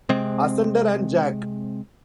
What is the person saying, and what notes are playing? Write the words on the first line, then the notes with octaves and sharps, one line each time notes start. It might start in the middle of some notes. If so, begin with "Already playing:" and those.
Asunder and Jack!
C3 G#3 C4